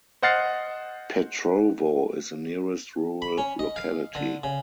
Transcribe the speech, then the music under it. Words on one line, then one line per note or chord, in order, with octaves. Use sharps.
Petrovo is the nearest rural locality.
C5 D#5 F#5 F6 A6 C7
B5
C#4
D#5
F5
D3
C#3